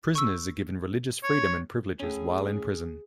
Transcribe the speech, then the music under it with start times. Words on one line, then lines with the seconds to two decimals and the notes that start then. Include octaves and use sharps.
Prisoners are given religious freedom and privileges while in prison.
0.15 C#6 E6
1.24 C#5
2.00 A2 C#4 G#4